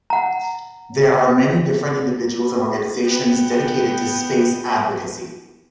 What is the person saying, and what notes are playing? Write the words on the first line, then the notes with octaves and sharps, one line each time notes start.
There are many different individuals and organizations dedicated to space advocacy.
F#5 A#5
B3 G5